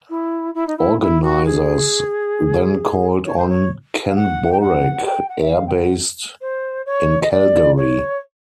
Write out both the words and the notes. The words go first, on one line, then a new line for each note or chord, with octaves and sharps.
Organizers then called on Kenn Borek Air based in Calgary.
E4
E4
D#4
E4
E4
F#4
G#4
C#5
C5
C#5
F5
F#5
G5
F#5
G5
F#5
E5
F5
G5
F#5
C5
C#5
D#5
D5
C#5